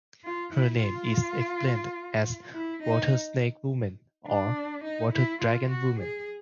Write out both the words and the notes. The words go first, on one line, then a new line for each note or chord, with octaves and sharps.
Her name is explained as "water snake woman" or "water dragon woman".
F4
E4
F4
E4
D#4
D4
D#4
E4
F4
F#4
G#4